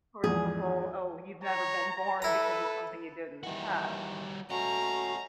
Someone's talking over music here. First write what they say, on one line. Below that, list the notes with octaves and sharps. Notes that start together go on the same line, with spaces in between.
course, the whole, "Oh, you've never been born because of something you did in the past,"
E2 G#2 F3 G#4
C#5 A#5
E4 A4 B4 A#5
D#3 E3 G3 F#4
A3 C#4 F#4 D#5 F#5 A#5